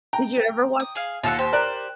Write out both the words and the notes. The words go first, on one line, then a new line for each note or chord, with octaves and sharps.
Did you ever watch
G5 A#5
D#6
G#4 F5
D#2 F4 A4 F#5
G4 C5
A#4 D5 F#6